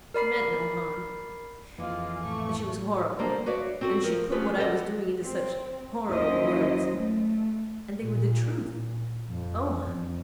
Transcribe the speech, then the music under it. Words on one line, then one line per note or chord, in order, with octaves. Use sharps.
She meant no harm--but she was horrible, and she put what I was doing into such horrible words--and they were the truth--oh!
A#4 D5 B5 C7
F2 E3 G#3 A#3 F4
A2 A3 C#6
D3 G3 A#3 C5
F#4 B4 C#5 D5 E5 F5
C4 F#4 A4
F3 A#4
A3 C#4 F4 G4 G#4 B4
G4 A4 B4 D#5 E5 F#5
C4
D#2 F#3 C#4 E4 C5 D#5
A3
A#2
F2
F2